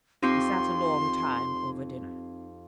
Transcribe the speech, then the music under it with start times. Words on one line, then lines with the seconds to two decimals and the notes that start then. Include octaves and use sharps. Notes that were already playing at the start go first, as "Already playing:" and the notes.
We sat a long time over dinner.
0.23 F2 C4 D#4 G4 C6 C#6